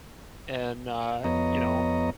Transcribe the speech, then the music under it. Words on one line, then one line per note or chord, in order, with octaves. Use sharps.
And, uh, you know,
F2 B3 C#5 D#5 A#5